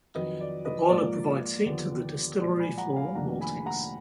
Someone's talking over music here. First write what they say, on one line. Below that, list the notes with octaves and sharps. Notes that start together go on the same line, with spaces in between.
The boiler provides heat to the distillery floor maltings.
F2 D#3 F#3 B4 D#5
D5
B4 D#5
G#2 F3 A#3 F4 D5
D#2 D3 F3 B3
B1 A#2 F3 G#3 D5
G#5 B5
F#5 A#5
F5 G#5
F1 F2 D#3 A#3 D4 F#5 A#5
G#5 B5
F#5 A#5